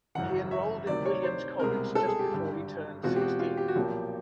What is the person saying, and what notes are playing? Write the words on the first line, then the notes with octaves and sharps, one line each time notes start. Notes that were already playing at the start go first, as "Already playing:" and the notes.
He enrolled in Williams College just before he turned sixteen.
G#1 F#2 C#3 E3 F#5
E5
D2 C3 D#3 D5
C#5
C5
C2 B2 G#3 C4 A#4
A4
G#4
G4
G#1 G2 D3
E2 B2 G#3 C4 F4 F#4
G4
F#4
F4
G4
F#4
B1 A#2 F3 A#3 G4